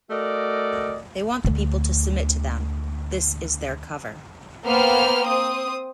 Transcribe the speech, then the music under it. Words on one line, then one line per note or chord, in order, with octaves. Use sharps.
They want the people to submit to them, this is their cover.
A3 F#4 A#4 D5 D#5
D2 D3
A#3 B3 C5 G5 F6
C4 D#6